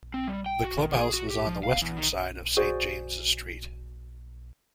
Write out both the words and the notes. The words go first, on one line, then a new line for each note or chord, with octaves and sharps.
The clubhouse was on the western side of Saint James's Street.
C4
G3
G5
F#4
D#3
G#4
F#4
G4
F3
F5
E2
D#3
F#4 G#4 C5 D5